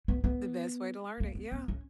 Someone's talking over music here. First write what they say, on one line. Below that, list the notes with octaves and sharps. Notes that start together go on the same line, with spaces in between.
The best way to learn it, yeah.
B3
B3
A#3
B3
B3
C#4